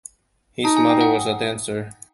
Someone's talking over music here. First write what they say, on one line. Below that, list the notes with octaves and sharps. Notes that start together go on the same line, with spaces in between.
His mother was a dancer.
D#4 A5
G#5
G5
F#5 G#5